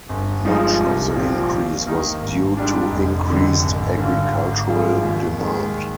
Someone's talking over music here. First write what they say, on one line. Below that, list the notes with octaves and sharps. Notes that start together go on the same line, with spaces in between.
Much of the increase was due to increased agricultural demand.
G1
G2 F3 G#3 D#4
C2
A#2 F3 C4
D#2
D#3 A#3 D#4
G#1
G#2 G3 D4
F1
F2 D3
G#1
G2 D3
G#1
G2 F3 G#3
D#2
D#3
G#3